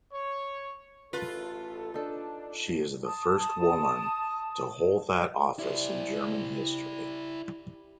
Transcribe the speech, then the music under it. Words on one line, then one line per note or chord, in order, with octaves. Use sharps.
She is the first woman to hold that office in German history.
C#5
A1 F4 A4 B4
D4 D#4 A4
A5 D#6
G3 E4 C5 E5